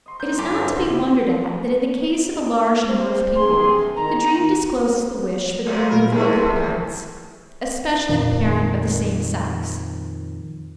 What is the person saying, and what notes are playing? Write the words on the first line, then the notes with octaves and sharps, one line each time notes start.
It is not to be wondered at that in the case of a large number of people the dream discloses the wish for the removal of the parents, especially the parent of the same sex.
D#5 C6 C#6
F#3 D#4 G6
G1 D6
E2 G2 D3 E3 C4 C5
C#3
C4 C5
G2 C3 G#4 C6
D#3 A#5
C3 F#3 A#3
A#2 F#3 A#4 B5
G#2 C3 A3 E4 G#4 A#4
A2
F2 A#2 D#3